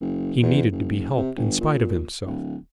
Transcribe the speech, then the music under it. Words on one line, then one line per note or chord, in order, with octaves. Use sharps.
He needed to be helped in spite of himself.
F#1
E2
F#1
C3
G1
A#2
D1